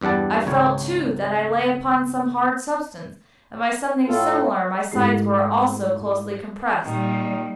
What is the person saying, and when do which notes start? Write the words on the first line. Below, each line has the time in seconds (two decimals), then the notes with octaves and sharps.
I felt, too, that I lay upon some hard substance, and by something similar my sides were, also, closely compressed.
0.01 E2 G2 G3 F#5 A5
0.46 G#1 C#2 C#5
4.08 A2 F4 A4
4.92 G#2 G#3 A3 E4 G4 C7
6.84 A#2 D#3 G3